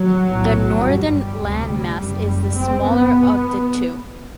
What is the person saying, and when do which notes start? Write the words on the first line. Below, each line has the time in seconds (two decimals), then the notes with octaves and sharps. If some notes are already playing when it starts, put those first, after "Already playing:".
The northern landmass is the smaller of the two.
Already playing: F#3
0.24 B1 A2
0.81 G1 G2 G3
1.39 D2 C3
1.97 F#1 F#2 G3
2.54 F#1 F#2 C4
2.83 B3
3.12 B2